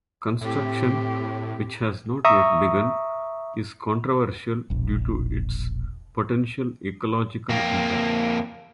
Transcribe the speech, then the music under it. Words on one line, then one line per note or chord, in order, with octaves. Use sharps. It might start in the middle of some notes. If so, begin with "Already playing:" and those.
Construction, which has not yet begun, is controversial due to its potential ecological impact.
A2 C4 G4
E5 A#5 C#6 D#6
E1 A#1
F2 A#3